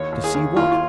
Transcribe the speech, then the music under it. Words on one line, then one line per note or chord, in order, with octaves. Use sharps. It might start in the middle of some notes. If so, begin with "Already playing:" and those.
To see what?
Already playing: D#2 C#5
D#2
G#4
D#2
D#2 F4
F4